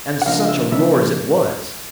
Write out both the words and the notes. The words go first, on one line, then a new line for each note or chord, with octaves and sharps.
And such a roar as it was!
F#5
C#3 F3 A#3 D4 F5
E5
C#3 F3 A#3 D4 E5
D5